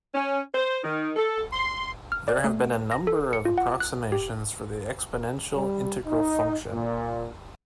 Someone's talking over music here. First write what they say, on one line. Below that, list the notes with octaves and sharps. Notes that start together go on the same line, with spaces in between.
There have been a number of approximations for the exponential integral function.
C#4
C5
D#3
A4
C6
F6
D5
A3
A#6
A4
C#7
F4
F#5
F#6
G4
G3
D#4
A#2